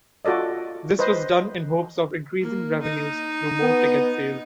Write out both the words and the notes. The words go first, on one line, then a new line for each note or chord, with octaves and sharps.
This was done in hopes of increasing revenues through more ticket sales.
F4 F#4 A4 D5 D#5
B4 C5 D#5
A#3
D#4
B3